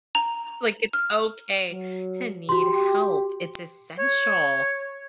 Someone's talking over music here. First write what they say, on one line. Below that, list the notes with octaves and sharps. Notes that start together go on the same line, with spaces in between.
Like, it's okay to need help, it's essential.
A#5
F6
F#3
F#4 G4 C6
C#5